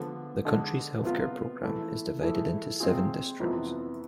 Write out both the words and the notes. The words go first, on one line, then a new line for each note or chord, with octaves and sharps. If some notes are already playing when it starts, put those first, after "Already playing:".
The country's healthcare program is divided into seven districts.
Already playing: D3 F3 B3
D3 G#3 D4
C3 F3 B3 F4
E3 A3 E4
E3 A3 E4 G#4
C3 G#3 C4 F4 G#4
F2 C3 E3 B3